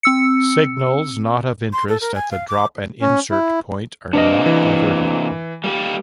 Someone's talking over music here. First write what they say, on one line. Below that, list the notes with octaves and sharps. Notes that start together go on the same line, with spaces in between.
Signals not of interest at the drop-and-insert point are not diverted.
C4 E6 C#7
C6
A4
A#4
G#5
F5
D6
C#4
E4
C3 A#3 D4 B4 D#5
E3
G3 A#3 G4